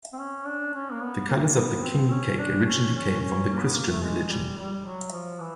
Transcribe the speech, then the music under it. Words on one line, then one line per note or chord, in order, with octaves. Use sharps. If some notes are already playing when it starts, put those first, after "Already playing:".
The colors of the king cake originally came from the Christian religion.
C4
C#4
D4
C#4
A#3
B3
A#3
B3
C4
C#4
D4
C#4
C#4
C#4
A#3
B3
A#3
A3
G#3
G3
G3
F#3
F3
E3